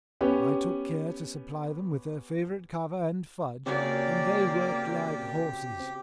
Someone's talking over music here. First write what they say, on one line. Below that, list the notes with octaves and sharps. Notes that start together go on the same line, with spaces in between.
I took care to supply them with their favourite kava and fudge, and they worked like horses.
B3 C#4 G4
C#3 A#3 C4 F#4 G4 D5